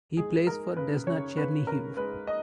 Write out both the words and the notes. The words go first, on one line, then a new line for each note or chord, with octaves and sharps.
He plays for Desna Chernihiv.
G#3 G#4
G#3 A#4
C#3 B4
C#3 C#5
C#3 B4
C#3 A#4
G#3 B4
D#5